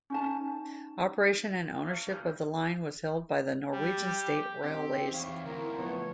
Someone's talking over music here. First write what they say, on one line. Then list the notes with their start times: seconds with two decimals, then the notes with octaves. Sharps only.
Operation and ownership of the line was held by the Norwegian State Railways.
0.10 C#4 D#4 A5
3.71 G3
4.07 G4
4.63 C4 D#4 G4
5.12 E2 C#5 F5
5.45 D2 E4 A#4
5.78 F3 B3 C#5